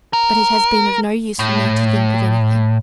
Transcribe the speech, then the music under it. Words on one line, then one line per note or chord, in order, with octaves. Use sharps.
But it has been of no use for me to think of anything.
A#4
A2